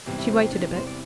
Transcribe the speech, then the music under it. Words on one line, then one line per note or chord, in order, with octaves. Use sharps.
'She waited a bit.
E2 C3 E3 G3 G4
E4
C4
C4
D4
E4
C5
D5